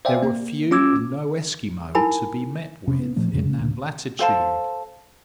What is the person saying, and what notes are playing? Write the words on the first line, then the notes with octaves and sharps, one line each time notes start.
There were few or no Esquimaux to be met with in that latitude.
C5 D5 E5 F5 G5 G#5
A#3
C#4 F4 D6 E6 G#6
D#4 E4 A#4 G#5 A#5 B5
F1 C3 C4 C#4
B3
A#2 F3 A3 C4
F2 C#3 F#3 G#3
C#3
D2 A#2
A4 C5 F5 A5